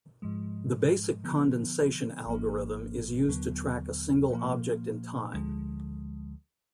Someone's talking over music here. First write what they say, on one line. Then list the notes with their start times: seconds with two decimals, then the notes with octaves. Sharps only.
The basic Condensation algorithm is used to track a single object in time.
0.22 G#2 F3 G#3
1.24 D3 F3 B3
2.26 G#1 G#2 F3 A#3
3.28 D#2 D3 F#3 B3
4.30 A#2 F3 A#3
5.33 D2 D3 F3 G#3